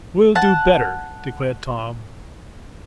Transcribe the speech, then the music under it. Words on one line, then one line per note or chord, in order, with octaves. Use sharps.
"We'll do better," declared Tom.
F#5 A5